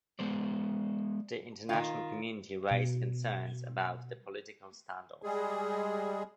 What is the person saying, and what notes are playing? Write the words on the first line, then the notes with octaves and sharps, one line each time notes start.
The international community raised concerns about the political standoff.
G#3 B3 C5 D5
D#3 F4
B2
G3 G#3 G#4